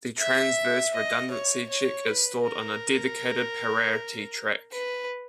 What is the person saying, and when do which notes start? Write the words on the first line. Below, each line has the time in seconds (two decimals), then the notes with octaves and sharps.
The transverse redundancy check is stored on a dedicated "parity track".
0.18 E5
0.94 D#5
1.31 C#5
1.69 C#5
2.07 B4
2.45 A#4
4.72 B4